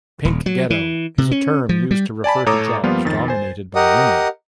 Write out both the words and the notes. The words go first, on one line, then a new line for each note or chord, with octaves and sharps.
Pink ghetto is a term used to refer to jobs dominated by women.
D#1
F#3
E3
C3
C#4
F3
G3
D5 G#5 A5 B5
A2 A4 C#5 A#5 D6 D#6
F3 G3 A#3 B3 F4
F2 D#3 A6
C5 G#5
G4 A#4 D#5 F#5 D#6